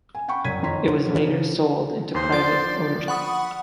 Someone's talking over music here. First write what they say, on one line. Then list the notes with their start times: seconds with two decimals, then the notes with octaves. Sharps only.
It was later sold into private ownership.
0.15 G#5
0.28 F#5 G5 B5 C#6
0.44 C2 F#2 G#6 B6 D#7
0.62 F2 D#3 C#5 A#5 C6 B6
1.06 C#3 E3 F3
2.15 D#2 C5 C6
2.32 F3 D5 A6
3.08 F#5 B5 C#6 D#6